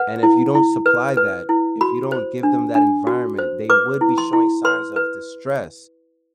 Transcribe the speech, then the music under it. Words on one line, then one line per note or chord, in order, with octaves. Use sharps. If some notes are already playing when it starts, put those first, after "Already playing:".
and if you don't supply that, if you don't give them that environment, they would be showing signs of distress,
Already playing: B4 F#5
E4
E4
B4
B4
E4
F#4 B5
C5
D4
D4
F#4
C5
B4 D6
E4
C6
E4
B4 C6
B4